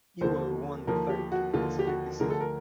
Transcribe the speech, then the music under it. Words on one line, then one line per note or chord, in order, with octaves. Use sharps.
Ewell won the fight via split decision.
D#2 D3 F3 C5
D#2 D3 F3 A#4
G4
F#4
D#2 D3 F3 F4
G4
F#4
D2 D3 F3 A#4
A4
A#4